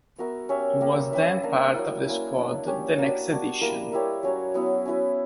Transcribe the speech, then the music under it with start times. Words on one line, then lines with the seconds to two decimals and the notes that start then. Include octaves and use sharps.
He was then part of the squad the next edition.
0.18 B3 F#4 A#4 E5
0.49 C#4 G4 C#5 E5
0.81 A#3 C#4 G4 A#4
1.12 C#4 G4 B4 E5
1.43 A#3 D4 A#4
1.74 F#3 A#3 E4
2.05 A#3 C#4 E4 B4
2.37 F#3 A#3 D4
2.67 C#4 G4 C#5
2.98 A#3 D4 F#4
3.30 G3 B3 D4 F#4
3.61 G3 A#3 E4 A#4
3.92 A#3 E4 G4 C#5
4.23 F#3 C#4 F#4 C#5
4.54 F#3 B3 E4
4.86 C#4 E4 B4